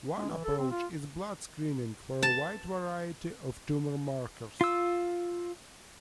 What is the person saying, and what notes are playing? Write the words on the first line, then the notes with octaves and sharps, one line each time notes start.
One approach is blood screening for a wide variety of tumor markers.
G#3
E3
A4
C4
F4
A5
F4 E6